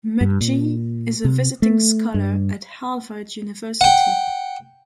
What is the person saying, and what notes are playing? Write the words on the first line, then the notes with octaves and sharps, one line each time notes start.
McGee is a visiting scholar at Harvard University.
G2
A#2
C3
A3
G2
F#5 G5